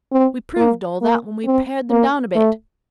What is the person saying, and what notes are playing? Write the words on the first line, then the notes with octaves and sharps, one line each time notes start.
We proved all that when we pared them down a bit.
C4
A#3
A#3
C4
A#3
A3